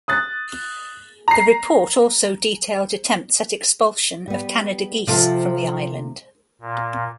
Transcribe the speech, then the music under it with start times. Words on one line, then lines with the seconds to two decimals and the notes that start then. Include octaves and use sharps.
The report also detailed attempts at expulsion of Canada geese from the island.
0.08 D#6 F#6 A6
1.28 A#5 C7
4.28 G3 B3
5.07 C3 F3 C4 F4 A4
6.61 A#2